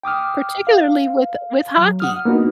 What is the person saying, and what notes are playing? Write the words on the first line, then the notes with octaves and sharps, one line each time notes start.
Particularly with with hockey.
G5 D6 D#6 F6
F5
F#3
F#5 D#6 F6
A#3 B3 D4 D#4 F#4